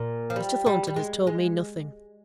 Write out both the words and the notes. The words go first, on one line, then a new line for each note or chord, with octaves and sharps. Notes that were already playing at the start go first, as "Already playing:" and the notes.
Mr. Thornton has told me nothing.
Already playing: A#2
F3
G3
G3
G3
G#3
G#3